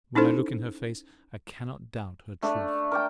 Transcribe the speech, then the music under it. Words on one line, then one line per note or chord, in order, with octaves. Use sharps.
When I look in her face, I cannot doubt her truth!
C#4 D#4 E4 A4 C5
A3 D4
A#4 D5 G5